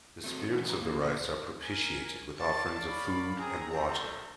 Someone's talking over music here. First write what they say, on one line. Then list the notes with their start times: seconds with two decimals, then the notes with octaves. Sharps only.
The spirits of the rice are propitiated with offerings of food and water.
0.24 A3 C4 F#4
0.52 E3 C#4 F#4 B4
0.69 G2 B2 E3 F#4 B4 A#5
0.81 A#3
1.01 A#2 A#3
1.63 A#4 G#5
2.39 C#5 D5 F5 A5
2.88 B5
3.38 C4 G#4 A#5
3.73 A3 D4 C5